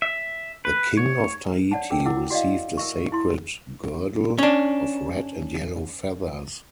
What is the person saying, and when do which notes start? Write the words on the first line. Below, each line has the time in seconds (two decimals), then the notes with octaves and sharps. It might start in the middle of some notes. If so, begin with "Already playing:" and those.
The king of Tahiti received a sacred girdle of red and yellow feathers.
0.02 E5
0.65 B4
0.97 C#5
1.71 C#5 D5 F#5 A5
1.90 G#4 A#4 G5
2.06 E4 A#4 F#5 D6 E6
2.30 F#4 D5 D#5 F5
2.77 A#4 E5 C#6
3.12 E4 C6
4.38 C#4 D4